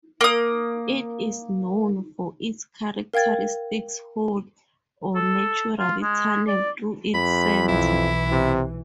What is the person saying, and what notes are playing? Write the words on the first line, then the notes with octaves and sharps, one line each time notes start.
It is known for its characteristic hole, or natural tunnel, through its center.
A#3 D#6
A#4 F5 G5 G#6 A6
A4
F4
G#3
D5
F2 B5
B1 E3 E4
C3